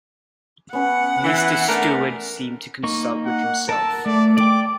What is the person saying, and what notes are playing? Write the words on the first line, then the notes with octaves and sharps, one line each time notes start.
Mr. Stewart seemed to consult with himself.
B3 C#4 B4 F#5
E3
A3 D4 A#4
A#3 D#4 C#6
F#5
A#4 A5 E6
A3 D5
D5 G5 D6